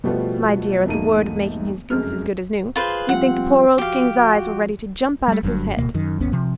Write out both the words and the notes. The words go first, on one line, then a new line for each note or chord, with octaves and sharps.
My dear, at the word of making his goose as good as new, you'd think the poor old king's eyes were ready to jump out of his head.
B2 F3 G3 A3 B3 F#4
E1 G#2 A3 A#3 D#7
F1 F#2 G#3 F6
F4 G#4 B4 C5
F3 G3 C4 F4 F#5
F3 F#4 G4 F5
F#4
G3 A3
G1 G2 C3 F#3
D1 G1 B2 A#3
F#2 D#3
G#1 D#2 B3 C#4
C3 F3